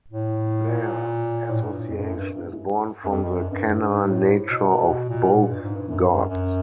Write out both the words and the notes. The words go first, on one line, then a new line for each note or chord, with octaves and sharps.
Their association is born from the canine nature of both gods.
A2
A#2
A2
G2
F2
G2
F#2
G2
F#2
F2
F2
F#2
G2
G2
G#2
A2
B2
B2
A#2
G2
G#2
G2
F#2
F#2